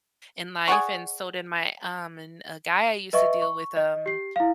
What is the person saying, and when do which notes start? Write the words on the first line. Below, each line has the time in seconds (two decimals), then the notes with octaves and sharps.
in life and so did my, um and a guy I used to deal with, um,
0.68 G#4 D5 F#5 C#6
3.13 B4 D#5 E5 C#6
3.42 C#6
3.76 D#5
4.06 G4 C7
4.36 E4 F5